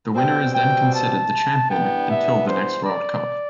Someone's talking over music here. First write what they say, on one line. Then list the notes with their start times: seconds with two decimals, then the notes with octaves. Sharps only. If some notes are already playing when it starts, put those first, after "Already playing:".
The winner is then considered the champion until the next World Cup.
0.15 B2 G3 C4 G5
0.54 G5
0.92 A5
1.68 G2 E3 B3 D4 G5
2.07 E5
2.45 C5
2.83 D5